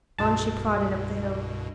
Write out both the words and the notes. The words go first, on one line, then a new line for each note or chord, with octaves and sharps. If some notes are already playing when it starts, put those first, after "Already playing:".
On she plodded up the hill.
C2 G2 B2 A5